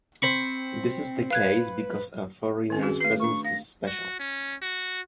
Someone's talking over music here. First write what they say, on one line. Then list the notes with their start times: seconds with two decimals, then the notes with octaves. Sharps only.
This is the case because a foreigners presence was special.
0.22 C4 C5 B5 C#6
1.30 B4 F5 F#6 G#6
2.70 D#3 C4 C#4
2.83 F#4 G#4
3.01 A3 B4 C7
3.20 A3 D4 C#6
3.45 F5 A#6
3.87 F#4
4.19 C#4
4.62 F#4